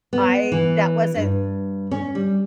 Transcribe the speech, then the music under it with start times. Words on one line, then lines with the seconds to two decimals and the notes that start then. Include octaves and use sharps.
I that wasn't
0.13 B3
0.52 E3
1.15 G2
1.91 C#4
2.15 G3